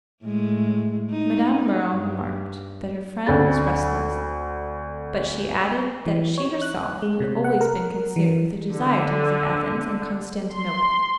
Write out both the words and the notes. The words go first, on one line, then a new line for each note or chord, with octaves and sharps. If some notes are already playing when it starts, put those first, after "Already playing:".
Madame Merle remarked that her friend was restless, but she added that she herself had always been consumed with the desire to visit Athens and Constantinople.
A2 G#3
D#4
G2
D2 C4 D4 A4 B5 A6
E3
C#5
F#6
G#3
C3
F#5
A#4
E3
D3
C6